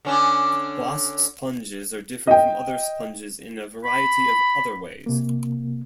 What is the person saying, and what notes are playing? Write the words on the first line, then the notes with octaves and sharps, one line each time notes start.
Glass sponges are different from other sponges in a variety of other ways.
D3 C#4 D4
D#5 G5
B5
C3 A#3